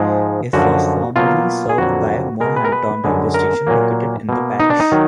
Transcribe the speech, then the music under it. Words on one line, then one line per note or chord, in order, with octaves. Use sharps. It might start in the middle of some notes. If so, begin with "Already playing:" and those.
If was formerly served by Moorhampton railway station located in the parish.
Already playing: G#2 F3 G#3
F#2 D3 F3 F#4
B2 F#3 A#3 F4
G#4
F2 D3 F#3 A#3 F#4
B2 G#3 A#4
B4
A#4
B4
F#2 D3 G#3
A#4
A#2 F#3 A#3
B2 A#3
D#4
D4
D#4
D#3 F#3